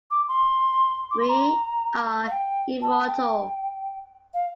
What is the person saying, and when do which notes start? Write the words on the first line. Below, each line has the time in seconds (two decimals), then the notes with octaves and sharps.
We "are" immortal!
0.11 D6
0.28 C6
1.11 D6
1.20 C6
1.29 A#5
2.27 F5
2.31 G5
2.82 A5
3.07 G5
4.34 F5